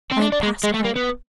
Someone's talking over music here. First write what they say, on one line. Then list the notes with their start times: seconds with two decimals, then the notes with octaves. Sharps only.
I am past hope.
0.11 C4
0.21 D4
0.32 D4
0.43 G#3
0.64 G#3
0.74 A3
0.85 A#3
0.96 B3